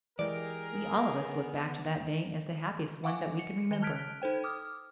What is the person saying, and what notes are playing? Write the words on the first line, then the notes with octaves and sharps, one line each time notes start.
We all of us look back to that day as the happiest one that we can remember.
E3 G#3 G4 G#4 A#4 D5
B3
F5 F#5 G#5 C#6 D6
C#7
D#3 G7
A5 F6 F#6 G#6 B6 D7
D#4 A4 C5 G5
D6 D#6 F6